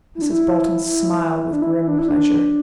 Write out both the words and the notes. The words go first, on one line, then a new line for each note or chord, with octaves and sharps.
Mrs. Bolton smiled with grim pleasure.
E4
D4
E4
E4
D4
E4
E4
D4
E4
D4